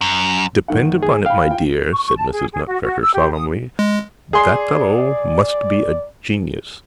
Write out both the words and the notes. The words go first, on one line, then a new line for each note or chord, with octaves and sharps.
"Depend upon it, my dear," said Mrs. Nutcracker solemnly, "that fellow must be a genius."
F#2
F#1 D#3 F#5
G#4
F5 G5 B5
F4 G5
C#6
C#6
A5
G#4
G#4
F#4
F#4
E6
G4
D#6
G#3
G#4 D5 C6